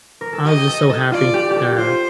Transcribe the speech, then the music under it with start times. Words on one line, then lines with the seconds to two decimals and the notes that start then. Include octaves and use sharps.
I was just so happy. Uh,
0.21 A#4
0.33 A4
0.45 G4 D#5
0.67 A4
0.90 A4
1.12 F4 D5
1.34 G4
1.51 G4
1.56 A4
1.72 G4
1.78 F4 C5